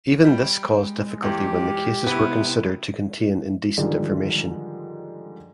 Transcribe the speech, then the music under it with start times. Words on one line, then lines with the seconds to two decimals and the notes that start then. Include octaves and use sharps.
Even this caused difficulty when the cases were considered to contain indecent information.
0.25 G3
0.65 G#3
1.23 E2 G4
2.07 C3 B3 E4
3.78 G#2 D3 D#3 F3 G3 G#3